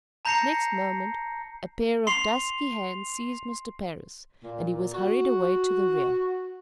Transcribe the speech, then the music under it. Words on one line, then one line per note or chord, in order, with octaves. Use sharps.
Next moment, a pair of dusky hands seized Mr. Parris, and he was hurried away to the rear.
A5 A#5 G6 A#6 C7 C#7
C6 C7 F7
A#2
F#4